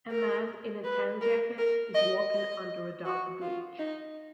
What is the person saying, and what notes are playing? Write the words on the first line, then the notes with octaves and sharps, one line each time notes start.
A man in a tan jacket is walking under a dark bridge.
A#4
B4
A#4
A#4
D#5
D#5
F#4
F4
D#4